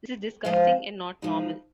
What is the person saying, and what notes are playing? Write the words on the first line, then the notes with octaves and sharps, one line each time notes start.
This is disgusting and not normal!
F3 G#3 F4 C5 D#5
C3 F3 G#3 D#4